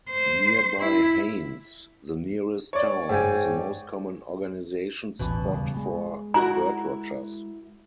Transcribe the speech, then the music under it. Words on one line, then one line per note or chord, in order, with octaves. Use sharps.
Nearby Haines, the nearest town, is the most common organization spot for birdwatchers.
C5
E4
C#5 D5
G#2 G5 G#5
D#1 A1 B2 E3
E1 C#3 G3
G#3
E4 F#4 A#4 A#5